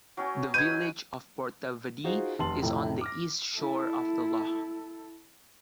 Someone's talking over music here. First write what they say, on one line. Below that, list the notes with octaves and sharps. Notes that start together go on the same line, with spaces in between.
The village of Portavadie is on the east shore of the loch.
F#3 C#4 G5
B4 D#5 G6 G#6 D#7
D#4 F4 F#4 G#4 C5
F1 A5 C6 F#7
F2 A2 C3 E4 G4 A4
D6 F6 A#6
E4 A4